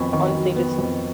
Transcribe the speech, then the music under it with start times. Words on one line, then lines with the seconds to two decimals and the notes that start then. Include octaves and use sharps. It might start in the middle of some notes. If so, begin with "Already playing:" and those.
honestly, just
Already playing: F2 D#3 B3 G#5 B5 C#6
0.13 D#3 C#6
0.35 F#3
0.56 B3
0.78 F2